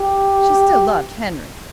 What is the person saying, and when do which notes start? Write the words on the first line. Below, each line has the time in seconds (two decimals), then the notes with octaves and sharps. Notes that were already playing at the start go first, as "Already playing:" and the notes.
She still loved Henry.
Already playing: G4